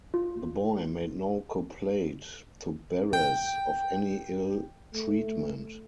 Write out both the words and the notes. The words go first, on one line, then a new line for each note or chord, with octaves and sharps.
The boy made no complaint to Barras of any ill treatment.
F4
G5
A3